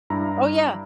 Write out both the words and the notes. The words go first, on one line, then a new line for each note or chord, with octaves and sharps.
Oh, yeah.
G2 E4 A#5